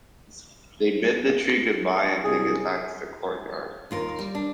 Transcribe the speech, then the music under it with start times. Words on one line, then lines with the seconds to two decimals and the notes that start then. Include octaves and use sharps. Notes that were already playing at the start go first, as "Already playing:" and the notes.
They bid the tree goodbye and take it back to the courtyard.
2.24 C2 G#4
3.91 D#2 F4 A#4
4.19 G3
4.35 D4